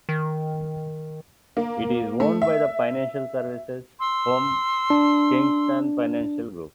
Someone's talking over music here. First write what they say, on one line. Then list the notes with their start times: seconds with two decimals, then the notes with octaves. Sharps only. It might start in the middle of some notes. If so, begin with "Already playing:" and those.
It is owned by the financial services firm Kingston Financial Group.
0.09 D#3
1.57 A#3
2.20 A3
2.42 E5
4.00 C6 E6
4.90 D4